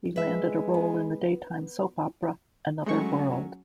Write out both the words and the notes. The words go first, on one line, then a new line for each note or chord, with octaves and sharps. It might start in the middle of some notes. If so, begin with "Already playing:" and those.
He landed a role in the daytime soap opera "Another World".
G#3 B4 E5
B3
F#3 G#3 A3 C#4 C#6